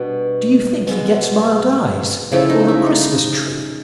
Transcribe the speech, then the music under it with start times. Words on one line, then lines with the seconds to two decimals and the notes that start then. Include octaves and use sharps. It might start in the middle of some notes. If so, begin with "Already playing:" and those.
Do you think he gets mild eyes, or a Christmas tree?
Already playing: B2 G3 B3 D4
0.87 B2 G#3 B3
2.32 C#3 F3 A3 E4
2.49 D#4
2.68 E4
2.86 D#4